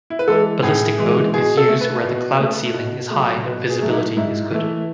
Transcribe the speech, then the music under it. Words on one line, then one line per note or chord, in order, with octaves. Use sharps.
Ballistic mode is used where the cloud ceiling is high and visibility is good.
E4
B4
E3 G#3 A4
A2 G#4
E3 G#3
B2 G#4
A4
A3
B4
B2
A3
B2
F#3 A3
B2 B4
G#4
F#3 A3
D#4
E4
G#2 E4
E3 A3